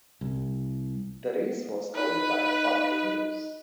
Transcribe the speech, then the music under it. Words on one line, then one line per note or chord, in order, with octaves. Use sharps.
The race was covered by Pathe News.
C2
D#4 B4